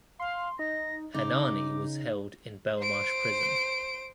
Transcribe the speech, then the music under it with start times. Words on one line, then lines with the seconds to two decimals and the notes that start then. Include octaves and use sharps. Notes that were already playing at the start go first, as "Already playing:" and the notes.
Hanani was held in Belmarsh Prison.
0.20 F5 C6
0.59 D#4 A#6
1.14 C#3 D#4 D6
2.79 C5 D7